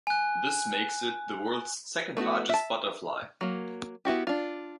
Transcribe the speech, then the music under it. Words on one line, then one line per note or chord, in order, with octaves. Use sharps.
This makes it the world's second largest butterfly.
G#5 F#6
A3 B3 E4 F#4
E5 A5
F#3 A#3
B3 E4 F#4 G4
D4 F4